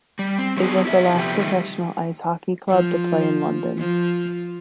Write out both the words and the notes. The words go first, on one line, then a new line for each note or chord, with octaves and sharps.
It was the last professional ice hockey club to play in London.
G3
C4
F#3 A3 B3 D4 G4 G#4
E4 G4 D5 E5
C3 F3 A3 B3 G4
D#3 G3 A3
F3
F3